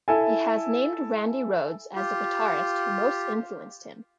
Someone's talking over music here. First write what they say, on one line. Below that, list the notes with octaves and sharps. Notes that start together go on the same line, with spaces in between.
He has named Randy Rhoads as the guitarist who most influenced him.
E4 A4 G#5
F4 G4